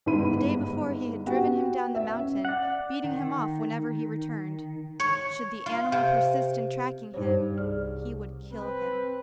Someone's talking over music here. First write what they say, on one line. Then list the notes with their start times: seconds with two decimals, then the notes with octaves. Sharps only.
The day before he had driven him down the mountain, beating him off whenever he returned. Should the animal persist in tracking him, he would kill him.
0.06 G1 G#2 D#3 E4 B5 D#7
1.26 B3 F#4 G4 G5
1.95 E5
2.17 C#4
2.45 D5 F#5
3.04 D#3
5.00 C#5
5.66 F4
5.92 C3
7.14 G2 D#4 C5 C#5
7.58 C2 G#4 D5 F6
8.53 C4 B4